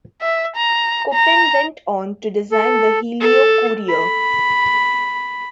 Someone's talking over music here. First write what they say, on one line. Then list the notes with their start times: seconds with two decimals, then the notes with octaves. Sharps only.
Koppen went on to design the Helio Courier.
0.22 E5
0.56 A#5
1.13 A#5
2.52 A4
3.21 A4
3.90 B5